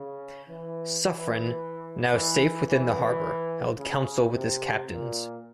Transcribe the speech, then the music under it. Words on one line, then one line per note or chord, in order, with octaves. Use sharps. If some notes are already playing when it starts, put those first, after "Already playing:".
Suffren, now safe within the harbour, held council with his captains.
Already playing: C#3
E3
E3
E3
E3
C#3
C3
A#2